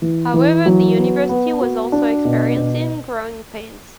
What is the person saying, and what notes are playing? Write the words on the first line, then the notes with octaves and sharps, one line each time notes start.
However, the university was also experiencing growing pains.
E3
E3
F#3
B3
B3
F#4
D4
B2
B2